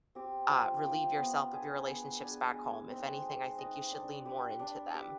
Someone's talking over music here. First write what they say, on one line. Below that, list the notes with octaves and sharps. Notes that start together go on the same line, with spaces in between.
uh, relieve yourself of your relationships back home. If anything, I think you should lean more into them,
C4 G4
F3
C4 G4
B3
D4 G#4 B4
B3
D4 G#4 B4
G#3
C4 D#4 B4
G#3
C4 D#4 B4
D4
G4 B4
D4
G4 B4